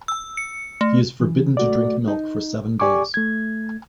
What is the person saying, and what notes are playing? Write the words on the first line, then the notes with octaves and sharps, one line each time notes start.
He is forbidden to drink milk for seven days.
E6
C#7
A3
E3
A3 F#4 D5
D#4
G4 D5 G#5 C#6 D6
A3 G#6